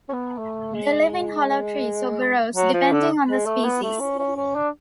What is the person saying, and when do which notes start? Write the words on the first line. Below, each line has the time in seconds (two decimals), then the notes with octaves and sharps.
They live in hollow trees or burrows, depending on the species.
0.09 C#4
0.13 B3
0.38 A3
0.74 G#3
2.55 F#3
2.73 F3
2.92 D3
3.28 G#3
3.46 A3
3.64 B3
3.82 A3
4.00 C#4
4.19 C#4
4.36 C#4
4.55 D4